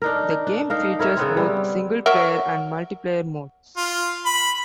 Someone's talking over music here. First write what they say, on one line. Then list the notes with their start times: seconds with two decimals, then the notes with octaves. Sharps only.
The game features both single-player and multiplayer modes.
0.02 D4 D#4 A#4
0.47 D4
0.70 D#4 A#4 F5
0.99 E4 A#4 C#5 E5
1.17 C#3 B3 C4
1.37 G3
2.06 F#3 A#4 E5
3.77 F4
4.26 B5